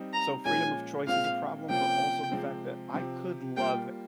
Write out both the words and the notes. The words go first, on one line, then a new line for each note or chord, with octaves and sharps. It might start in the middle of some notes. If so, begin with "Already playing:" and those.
So, freedom of choice is a problem, but also the fact that I could love
Already playing: G3 C4 D#4
A#5
A#2 F3 G#3 C#4 G#5
A#2 G#3 C4 F4 F5
C3 F3 A#3 C#4 F4 G5
C3 F3 G#3 C4
C3 F3 C4 G4
G3 A#3 F4 G5